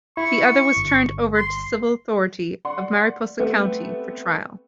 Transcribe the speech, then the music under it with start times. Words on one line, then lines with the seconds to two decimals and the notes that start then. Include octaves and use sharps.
The other was turned over to civil authority of Mariposa County for trial.
0.17 E4 C#6
0.76 G1
1.35 C6
2.65 D5 F#5 C6 C#6
3.39 A3 B3 C4 G4 A4